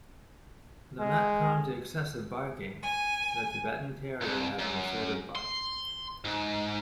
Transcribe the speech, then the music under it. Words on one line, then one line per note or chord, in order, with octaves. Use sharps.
Though not prone to excessive barking, the Tibetan Terrier has an assertive bark.
G#3
G#5
C2
F#2
C6
G#2